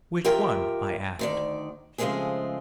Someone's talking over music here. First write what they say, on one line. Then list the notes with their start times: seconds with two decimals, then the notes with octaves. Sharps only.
"Which one?" I asked.
0.25 F4 G4 A#4 E5 G5
1.19 D2 D#3 D5
1.98 C#3 F3 G#3 A3 C4 G#4